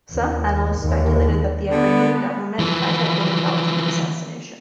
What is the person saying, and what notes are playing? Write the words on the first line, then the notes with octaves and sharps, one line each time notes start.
Some analysts speculated that the Iranian government might have been involved in the assassination.
D#2
D#2
D3 B3
E3 F3